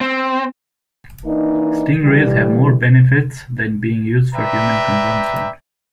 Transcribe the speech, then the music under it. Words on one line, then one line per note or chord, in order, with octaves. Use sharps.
Stingrays have more benefits than being used for human consumption.
C4
E3 A#3 D4 D#4
D3 E3 G3
B4 D5 E5 G5 A#5